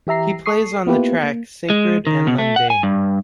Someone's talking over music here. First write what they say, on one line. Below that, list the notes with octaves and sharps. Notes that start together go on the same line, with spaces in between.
He plays on the track "Sacred and Mundane".
E3 G4 E5 A#5 C7
A4 C#6 D#6 C7
A#3 B3 E4 F4 G4 B4
A#3
G#3
D#3
B2
A3
F#5
G#5
G2